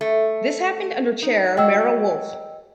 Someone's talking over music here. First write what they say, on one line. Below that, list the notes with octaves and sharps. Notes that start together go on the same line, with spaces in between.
This happened under chair Merrill Wolfe.
A3
D#4
F#3 F#4 D#5 G5 E6